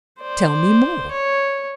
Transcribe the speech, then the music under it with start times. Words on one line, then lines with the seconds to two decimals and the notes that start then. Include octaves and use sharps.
Tell me more.
0.19 C5 D5
1.11 C#5